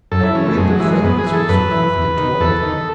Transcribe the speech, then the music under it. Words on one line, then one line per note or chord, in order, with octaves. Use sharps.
An agreeable fragrance was wafted toward them.
F#2 A4
E4
E3 C#4
A3
F#2 G#3
F#3
E3 G#3
G#3
F#2 B3
G#4
E3
A4
F#2 B4
E3
E2
D#3
E2 A4
D#3